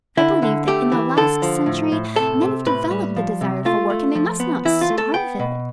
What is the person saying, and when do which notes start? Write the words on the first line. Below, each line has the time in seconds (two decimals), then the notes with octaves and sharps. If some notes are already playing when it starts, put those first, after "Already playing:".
I believe that in the last century men have developed the desire for work, and they must not starve it.
0.17 D3 E4
0.42 D3
0.67 A3 G4
0.92 E3
1.17 D3 A4
1.42 F3
1.66 A2
1.92 A2
2.16 C3 A4
2.42 C3
2.66 A2 B4
2.91 G3
3.16 F3
3.41 C3
3.65 A3 F4
3.90 A3
4.15 F3
4.40 B3
4.65 E3 E4
4.81 F4
4.90 A3
4.98 A4
5.14 B3 G5
5.39 B2